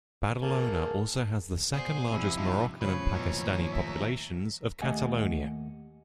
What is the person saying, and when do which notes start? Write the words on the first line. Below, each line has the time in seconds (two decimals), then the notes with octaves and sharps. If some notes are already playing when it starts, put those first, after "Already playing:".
Badalona also has the second-largest Moroccan and Pakistani populations of Catalonia.
0.43 A#3 G#4 A5
1.74 B2 G#4 C5 D5 F#5
2.08 C3 F3 E4
2.37 G2 D#4 F4 E5
2.81 F#2 A2 C#3 F3 B4 C#5
3.13 D#2 B2 E3
3.71 A#4 E5
4.82 D#2 A3 G4 D#5 F#5 G#5